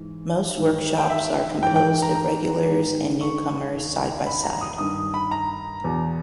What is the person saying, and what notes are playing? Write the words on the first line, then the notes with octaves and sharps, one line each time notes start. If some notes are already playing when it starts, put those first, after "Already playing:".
Most workshops are composed of regulars and newcomers side-by-side.
Already playing: G#2 E3
G#2 D#3
G5
E5
G#2 E3 G5
G5
A#5
A#5
G#2 D#3
C#6
D#2 D#3
B5
A#5
D#6
G2 D#3 D#6
B5
A#5
E2 B2